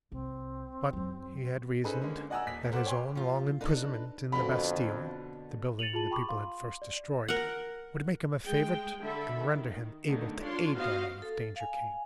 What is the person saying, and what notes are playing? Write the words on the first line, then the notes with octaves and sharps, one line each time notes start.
But he had reasoned that his own long imprisonment in the Bastille--the building the people had first destroyed--would make him a favorite, and render him able to aid Darnay if danger came.
C2 C4
F#2 F#3
C#4 D#4 G#4 A4 B4 C5
D3 G#3 A#3 C#4
D5 D#5 F#5 G#5 A#5 E6
D#1 B6
A4 A#4 C5 F#5 D6
C#5 G5 G#5 C6 C#6
F3 F4
D4 D#4 F4 A4 B4
F2 B2 D3 A#5 B5
A6 C#7 D#7 F7 F#7
F4 G#4 A5 F#7
G5 B5 C#6 D6
F5 C6
D5
A#4 F#5
G#3 G#4 G5
D3 A4 E5 B5
D#3
D3 D#3 A3 B3
D4 F4 C#5 C6
B3 F#4 C5 D#5 F5
A4
F5 G#5